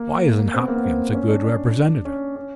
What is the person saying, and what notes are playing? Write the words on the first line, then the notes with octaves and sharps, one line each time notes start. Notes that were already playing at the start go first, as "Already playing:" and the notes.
"Why isn't Hopkins a good Representative?"
Already playing: A#3
C4
B3
A#3
B3
C4
C#4
D4
D4
C#4
C#4